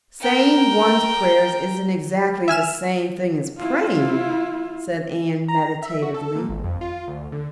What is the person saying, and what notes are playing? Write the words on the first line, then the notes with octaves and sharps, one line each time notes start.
"Saying one's prayers isn't exactly the same thing as praying," said Anne meditatively.
A#4 G5
E5 G#5 F6 E7
E4 F4
A#5
E5
F#4
A4
A#2
G#1
F2
F4
D2
D3